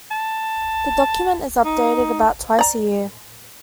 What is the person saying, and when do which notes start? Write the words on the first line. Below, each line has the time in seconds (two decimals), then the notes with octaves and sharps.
The document is updated about twice a year.
0.11 A5
1.65 D#4
2.59 D5 A#5